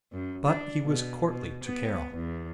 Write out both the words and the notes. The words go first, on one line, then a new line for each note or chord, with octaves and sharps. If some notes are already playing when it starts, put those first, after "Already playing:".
But he was courtly to Carol.
F#2
D4
B2
B2
B3
E2